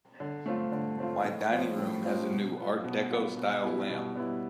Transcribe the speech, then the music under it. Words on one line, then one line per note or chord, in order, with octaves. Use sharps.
My dining room has a new art deco style lamp.
D3
A3 C4 F4
D3
A3 C4 F4
A2
F3 C4 F4
A2
F3 C4 F4
B2
B3 F4
B2
B3 F4
B2
G3 B3 E4
B2
G3 B3 E4